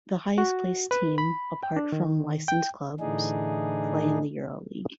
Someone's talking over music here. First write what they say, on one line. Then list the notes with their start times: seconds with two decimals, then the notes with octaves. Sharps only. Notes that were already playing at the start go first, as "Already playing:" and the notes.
The highest-placed team, apart from licensed clubs, play in the EuroLeague.
0.38 F#4
0.91 B4
1.18 B5
1.63 G5
1.76 D4
1.92 D#3
2.48 G5
3.00 A2 D3 E3 D4 D#4 G#4